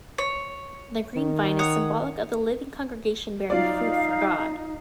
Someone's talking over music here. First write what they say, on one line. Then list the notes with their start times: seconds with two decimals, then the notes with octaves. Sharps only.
The Green Vine is symbolic of the living congregation bearing fruit for God.
0.18 C#5
1.16 D#3
1.59 C#5 F#5 D#6
3.50 F#3 D#4 F4 D5 F5